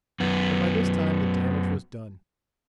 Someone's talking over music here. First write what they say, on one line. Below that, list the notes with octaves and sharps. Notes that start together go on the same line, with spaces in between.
But by this time the damage was done.
F#2 B3